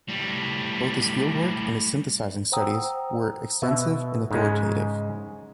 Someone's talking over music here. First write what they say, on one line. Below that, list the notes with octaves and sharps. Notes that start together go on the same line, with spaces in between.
Both his field work and his synthesizing studies were extensive and authoritative.
A2 G3
C5 F#5 G5 A#5 D#6 E6
B2 E5 F#5
G#2 C#3 G#3